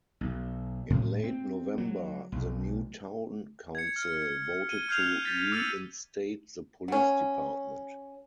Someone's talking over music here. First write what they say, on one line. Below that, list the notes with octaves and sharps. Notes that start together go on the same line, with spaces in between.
In late November, the new town council voted to reinstate the police department.
B1
A2
C4
F#3
B1
G#6 C#7
F6
D#7 G7
F6 G6 G#6 C7 C#7 F7
G6 A6 B6 C#7
D6 E6 F6 A6 C#7 D#7
F#3 C#4